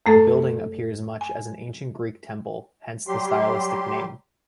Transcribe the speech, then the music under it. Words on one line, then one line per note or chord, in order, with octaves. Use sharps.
The building appears much as an ancient Greek temple, hence the stylistic name.
F#2 A3 A4
G#5
F#3 G3 G4 C6